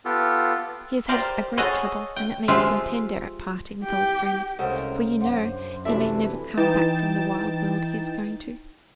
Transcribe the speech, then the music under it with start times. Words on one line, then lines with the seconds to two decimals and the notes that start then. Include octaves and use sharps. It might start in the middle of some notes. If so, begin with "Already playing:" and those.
He has had a great trouble, and it makes him tender at parting with old friends; for you know he may never come back from the wild world he is going to.'
0.05 B3 F4 G4 A4
1.09 G4 A#4 C5 D5 F5
1.57 G#4 A4 C#5 D#5 F5 F#5
2.16 G5
2.48 F3 G#3 F4 G4 E5 F5
3.84 G4 G5
4.59 C2 C#3 G#3 A4 A#4 C5 F#5
5.21 F#2 D4 C5 F#5
5.85 C3 E3 D4 F#4 A4 E5
6.57 E3 D#4 G5 A6 E7